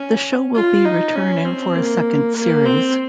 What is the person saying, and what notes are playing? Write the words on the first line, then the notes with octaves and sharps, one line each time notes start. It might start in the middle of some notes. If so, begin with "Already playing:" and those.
The show will be returning for a second series.
Already playing: C#4
F4
D#4
C#4
C4
A#3
A#3
C4